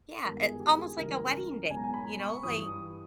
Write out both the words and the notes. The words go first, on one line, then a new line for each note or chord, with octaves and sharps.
Yeah, it's almost like a wedding day, you know? Like
G2 D#3 G#3 B3 A#4
G#4
G4
G#4
C#2 C#3 E3 G3 A#4
B1 B2 G#3 B3 G#5
A#5
G#5
B5
C#6
G2 E3 G3 D#6